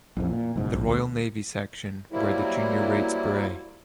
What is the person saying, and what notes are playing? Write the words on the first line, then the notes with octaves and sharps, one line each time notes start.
The Royal Navy Section wear the junior rates beret.
A1 F2
A#2
F#1 G#2 B2
A#1
D2
F#3 G3 A#3 C4 E4